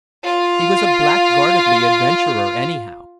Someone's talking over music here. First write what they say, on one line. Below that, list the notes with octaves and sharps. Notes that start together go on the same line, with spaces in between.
He was a blackguardly adventurer, anyhow.
F4